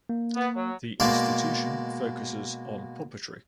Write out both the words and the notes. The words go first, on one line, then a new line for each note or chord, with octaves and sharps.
The institution focuses on puppetry.
A#3
B3
F#3
B2 G#3 A#3 D5 C6